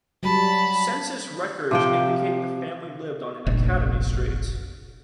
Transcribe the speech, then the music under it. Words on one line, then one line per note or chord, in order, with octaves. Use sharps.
Census records indicate the family lived on Academy Street.
F#3 G3 A5 B5
C3 F3 G5
F1 A#1